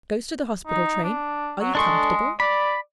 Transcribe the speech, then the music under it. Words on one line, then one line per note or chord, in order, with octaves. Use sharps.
Goes to the hospital train--'Are you comfortable?
D#4
D4
F#3
G#3 D4 A4 C#6
D5 B5